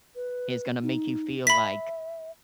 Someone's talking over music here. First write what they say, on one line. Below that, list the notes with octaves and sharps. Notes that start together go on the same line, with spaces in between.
is gonna make you feel like
B4
D#4
E5 B5 B6